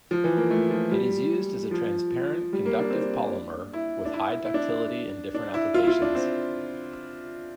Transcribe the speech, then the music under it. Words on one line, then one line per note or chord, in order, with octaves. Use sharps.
It is used as a transparent, conductive polymer with high ductility in different applications.
F3
E3
A#3
A3
F3
G3
F3
G3
A#3
D4
C4
D4
E4
D4
E4
E4
D4
D4
E4
F4
E4
F4
D4
C4